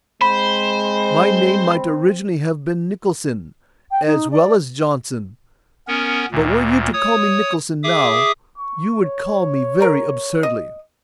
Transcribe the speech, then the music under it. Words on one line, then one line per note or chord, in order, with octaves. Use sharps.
My name might originally have been Nicholson, as well as Johnson; but were you to call me Nicholson now, you would call me very absurdly.'
G#3 C4 C5 B5
G5
D#4
D5
B3 C#4 A#4
D2 A#2
C#5 D#6
G#4 E5 D6 D#6
C#6
C#5
A#4 A#5
D#5